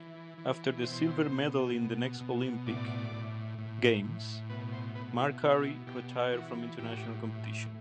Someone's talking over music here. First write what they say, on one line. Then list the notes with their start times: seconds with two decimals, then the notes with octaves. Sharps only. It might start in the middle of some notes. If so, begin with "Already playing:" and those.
After the silver medal in the next Olympic Games, Marcari retired from international competition.
Already playing: E3
0.38 E3
0.82 B2 C5
1.29 B2
1.74 B2
2.21 B2
2.66 A2 D5
3.12 A2
3.58 A2
4.04 A2
4.49 B2 B4
4.73 C5
4.95 B2 B4
5.18 E4
5.41 B2 E4
5.51 F#4
5.60 E4
5.87 B2 G4
6.33 E3 F#4
6.79 A2 G4
6.88 F#4
6.97 G4
7.24 A2